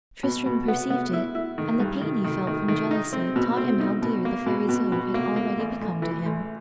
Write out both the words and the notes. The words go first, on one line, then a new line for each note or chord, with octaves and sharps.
Tristram perceived it, and the pain he felt from jealousy taught him how dear the fair Isoude had already become to him.
B2
B2
B3
B3
E4
E4
D#3
G2
D#3
D#3
D#3
D#3
D#4
C4
B2
C4
D#4
B2
A#3
B2
B2
B2
A#3
A#3
A1
A1
E3
A1